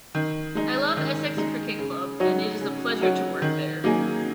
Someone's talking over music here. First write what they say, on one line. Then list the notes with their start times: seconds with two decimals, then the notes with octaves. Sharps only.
I love Essex Cricket Club and it is a pleasure to work there.
0.15 D#3
0.55 G#3 D#4
0.97 D#3
1.37 G#3 D#4
1.79 C#3
2.20 F#3 D#4 F#4 C#5
2.61 C#3
3.01 F#3 D#4 F#4 C#5
3.42 D#3
3.83 F#3 A#3 D#4 G#4